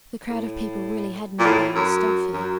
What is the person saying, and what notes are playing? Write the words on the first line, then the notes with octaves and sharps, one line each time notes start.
The crowd of people really had made the house stuffy.
A2
A#2
A2
F#2
F#2